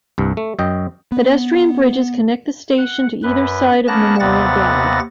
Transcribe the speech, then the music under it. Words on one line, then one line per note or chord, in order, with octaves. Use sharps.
Pedestrian bridges connect the station to either side of Memorial Drive.
C2 G2
A3
F#2 D#5 G5
B3
F#5
F#2 B4
A#3 B3 C#4 A5 F#6 A#6
D#2 C3 B3 F#5 A6 A#6